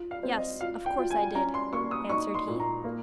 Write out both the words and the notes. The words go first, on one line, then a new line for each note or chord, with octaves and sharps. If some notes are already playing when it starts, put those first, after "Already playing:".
'Yes, of course I did,' answered he.
Already playing: F4
F5
C4
D#5
F4 F5
G5
F4
G#5
C#4 A#5
C6
A#3 C#6
D#6
D#4 C#6
C6
A#2
A#5
A#3